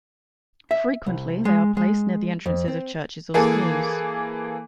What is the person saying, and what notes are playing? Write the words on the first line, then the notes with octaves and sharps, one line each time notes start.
Frequently they are placed near the entrances of churches or schools.
E5
C2
G#3
G#3
F2
C4
E3 A#3 G#4 A4